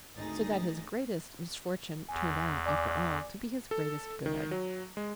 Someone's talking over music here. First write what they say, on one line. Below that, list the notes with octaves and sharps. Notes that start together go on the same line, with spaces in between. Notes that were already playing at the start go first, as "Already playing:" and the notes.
So that his greatest misfortune turned out, after all, to be his greatest good.
G#1 D2 D#4 G#4 A6 A#6
E2 G#5
D5 G#5 D6
A4
D#3
F#3
G#3